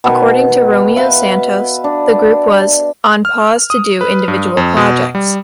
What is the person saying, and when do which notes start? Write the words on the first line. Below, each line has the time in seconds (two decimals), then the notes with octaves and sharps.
According to Romeo Santos, the group was "on pause to do individual projects".
0.04 B2 D#3
0.96 B4 E5 F5
1.84 D4
3.25 F6
3.70 D#6
4.01 B4
4.28 G2
4.57 F2
4.77 B2
5.15 G3